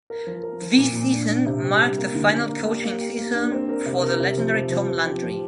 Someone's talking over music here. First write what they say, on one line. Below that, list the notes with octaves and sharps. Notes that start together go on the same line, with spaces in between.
This season marked the final coaching season for the legendary Tom Landry.
A#4
F3
A#4
F3
A#2
A#2
D4
D4
C3
G4
G3
A#3
D3
D4
A#3
G4
A#3
G4
A#3
D4
C4
A#4
C3
A#4
C3
F3
C3
F3
F3
G4
F3